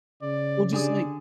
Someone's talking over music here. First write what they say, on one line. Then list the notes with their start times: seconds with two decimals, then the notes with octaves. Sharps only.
Well, just like
0.22 C#3 D5
0.73 D3 D4 G4 G#4 D5 G#5 D#6